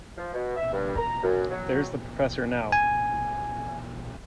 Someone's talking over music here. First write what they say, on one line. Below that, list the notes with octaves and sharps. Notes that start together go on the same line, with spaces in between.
There's the professor now.
F3
B2
E5
G2
A#5
F#2
F#3
G#5